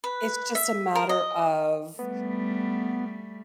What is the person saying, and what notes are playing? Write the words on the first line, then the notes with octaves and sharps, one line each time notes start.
it's just a matter of,
B4
E5
A#4
D#5
G3 A3 B3